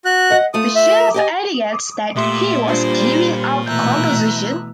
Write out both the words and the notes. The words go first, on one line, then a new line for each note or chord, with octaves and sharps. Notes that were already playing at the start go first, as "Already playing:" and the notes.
The shift indicates that he was giving up composition.
F#4 F#6
D#5 F#5
A3 F4 D#6
E5
G4 D#5 G#5
A#2 A3 G4 E5 C6
G3 D4 F4 C5
B2 E3 A3 E5 A#5 F#6 G6